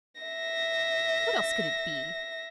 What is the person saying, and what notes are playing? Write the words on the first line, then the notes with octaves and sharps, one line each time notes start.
What else could it be?
E5 A#6